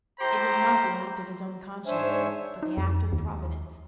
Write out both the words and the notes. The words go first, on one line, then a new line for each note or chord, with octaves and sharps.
It was not the act of his own conscience, but the act of Providence.
A2 G4 C5 A#5
G#2 D4 C5 C#5 E5 G#5
D#4
F2
D#2